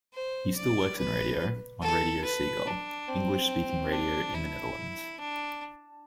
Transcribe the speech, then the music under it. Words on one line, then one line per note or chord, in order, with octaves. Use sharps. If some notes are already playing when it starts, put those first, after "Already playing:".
He still works in radio, on Radio Seagull, English speaking radio in the Netherlands.
C5
D5
B4
A4
B4
D4
C4
D4
E4
D4